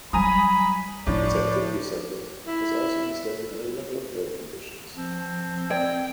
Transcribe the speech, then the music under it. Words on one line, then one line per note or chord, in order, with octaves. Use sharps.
Its activity cycle has also been studied under laboratory conditions.
F#3 G3 G#5 A#5 B5 D#6
A2 F3 D4 D5
E4
F3 C4 A5
D5 G5